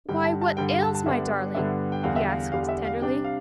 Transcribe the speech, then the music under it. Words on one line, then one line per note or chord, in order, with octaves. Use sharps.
"Why! what ails my darling?" he asked tenderly.
G2 D3 G3 G5
A5
A5
G2 D3 G3 G5
F5
A5
A5
G2 D3 G3 B3 D4 E5
G2 D3 G3 B3 D4 E5
G5
E2 D3 G3 F5
E5
F5
F5
E2 D3 G3 F5
E5
F5
C3 G3 D4 G5
F5